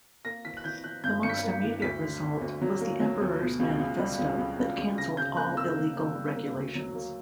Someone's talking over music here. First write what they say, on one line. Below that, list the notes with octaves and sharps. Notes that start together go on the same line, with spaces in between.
The most immediate result was the Emperor's manifesto that cancelled all illegal regulations.
A#3 A#6
E3 B6
F#6
E3 G6
E3 F#6
G2 G6
G2 C#7
B6
A#3
E3
D2 B6
D3
D3
D2
F#3
A#3
F#3
D2
B2
C#2
C#2
G3
C#2
C#2
C#2
C#2
C#3 A#6
C#3 G6
A#3 F#6
C#3 E6
A#3
A#3
G3
A#3
D2
F#3
A#3